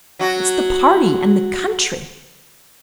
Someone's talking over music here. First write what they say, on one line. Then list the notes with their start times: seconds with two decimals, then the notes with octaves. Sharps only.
It's the party and the country.
0.19 F#3 F#4